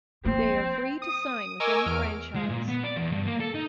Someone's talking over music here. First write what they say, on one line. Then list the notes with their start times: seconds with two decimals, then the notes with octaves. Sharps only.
They are free to sign with any franchise.
0.25 F3 A#3 C4
1.02 D#6
1.60 A#4 D#5 G#5 C#6 D6 E6
1.86 E2 F6 D7
2.35 G#3
2.49 A#2
2.68 B3
2.84 D5
2.97 E2
3.12 G2
3.27 A#3
3.40 A4
3.55 D#4